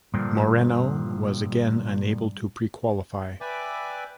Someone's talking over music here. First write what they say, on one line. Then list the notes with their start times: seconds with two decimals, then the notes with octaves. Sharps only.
Moreno was again unable to prequalify.
0.14 G2 A#2 D3 F3
3.41 B4 D5 E5 G5 G#5 D6